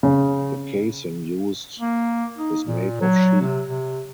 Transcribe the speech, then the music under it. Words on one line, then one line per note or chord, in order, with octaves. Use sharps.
The casing used is made of sheep.
C#3
A#3
D#4
A#2
F#3
C3
C3